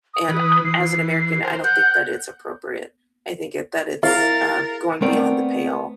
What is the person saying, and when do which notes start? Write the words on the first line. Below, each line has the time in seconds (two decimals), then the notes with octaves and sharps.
and a as an American, I don't think that it's appropriate, I think it that it's, uh, going beyond the pale.
0.14 D#6
0.29 E3 B4
0.65 E3 C7
1.44 A#4 C5
1.64 F#5 G6
4.03 E4 G#4 A#4 F5 A6
5.02 A3 B3 C4 A#4 D5